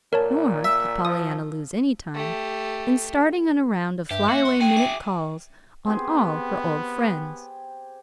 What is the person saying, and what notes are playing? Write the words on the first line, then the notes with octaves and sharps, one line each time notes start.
Nor did Pollyanna lose any time in starting on a round of fly-away minute calls on all her old friends.
A#2 A#4 C#5 A5
E5
F3 D#6
A3 G4
G2 G4 E5
A#3 F#4
C6
F#4 G#4 G5 G#5
E5 D6
B3 C4 G4 G#4